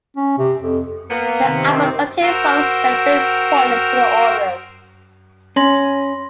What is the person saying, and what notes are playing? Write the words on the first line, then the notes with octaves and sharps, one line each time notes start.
The album contained songs that were very important to the authors.
C#4
C3
F2
A#3 B3
C3 D#3 C4
F#4 A#4 C5 G5 E6 F6
C#4 B5 C6 A#6